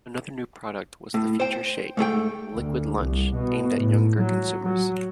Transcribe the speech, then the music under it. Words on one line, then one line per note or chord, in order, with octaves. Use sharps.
Another new product was the Future Shake, a "liquid lunch" aimed at younger consumers.
A2
C5 G5
G#2 A3 G#4 G5
D2
C2
B2
A2
F#3
F#3